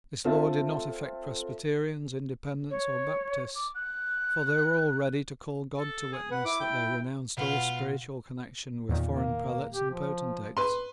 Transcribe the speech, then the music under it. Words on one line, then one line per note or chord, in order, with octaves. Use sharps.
This law did not affect Presbyterians, Independents, or Baptists; for they were all ready to call God to witness that they renounced all spiritual connection with foreign prelates and potentates.
C4 F4 A4 C5 E5 A5
C#5
D6
F#6
A4
G#4
B4 F#5
E4 D6
G5
B2 F4 B4 F#5
E2 A#2 D#3
A#3
G4
F3
B4 C6